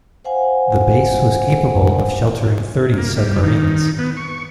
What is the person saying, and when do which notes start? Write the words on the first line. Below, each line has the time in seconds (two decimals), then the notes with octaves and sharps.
The base was capable of sheltering thirty submarines.
0.25 C5 F5 F#5 G#5
2.98 A#3
3.17 G3
3.43 D#3
3.99 B3
4.17 C#6